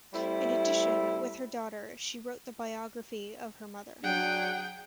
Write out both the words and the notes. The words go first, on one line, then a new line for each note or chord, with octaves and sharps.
In addition, with her daughter, she wrote the biography of her mother.
G3 A3 C4 E4
F#3 D4 G#4 F#5 G5